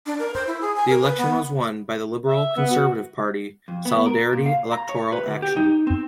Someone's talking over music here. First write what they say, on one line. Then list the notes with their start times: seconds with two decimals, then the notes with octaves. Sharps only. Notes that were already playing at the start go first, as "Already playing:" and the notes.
The election was won by the liberal conservative party Solidarity Electoral Action.
0.06 D4
0.19 A#4
0.34 C5
0.47 E4
0.61 G#4
0.76 G#5
0.89 A#4
1.02 B4
1.18 B3
2.27 E5
2.57 B3
2.71 F#4
3.68 F2
3.85 B3
4.06 A#4
4.33 A#2
4.46 F5
4.72 A#5
4.89 C#5
5.12 B4
5.26 D2
5.42 G4
5.57 D#4
5.87 C4